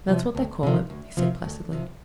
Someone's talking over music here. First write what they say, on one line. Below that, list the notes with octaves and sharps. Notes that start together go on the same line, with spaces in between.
"That's what they call it," he said, placidly.
C3 F3
D2
C3 F3
D2
C3 F3
D2
C3 F3